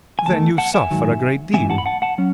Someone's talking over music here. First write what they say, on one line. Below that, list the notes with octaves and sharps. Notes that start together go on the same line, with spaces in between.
"Then you suffer a great deal?"
G#5
E2 D#3 A3 A5
F#5 A5
E5 G#5
G#2 D#3 F#3
G#2 E3 G#3 B3 E5 G#5
F#5 A5
B5
F#5 A5
F#5 A5
F#3 C#4